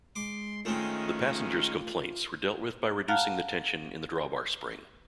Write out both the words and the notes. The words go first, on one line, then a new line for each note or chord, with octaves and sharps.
The passengers' complaints were dealt with by reducing the tension in the drawbar spring.
G#3 C6 D6
D#3 G#3 A3 C4 C#4 F4
F5 F#5 A5 A#5 F6 F#6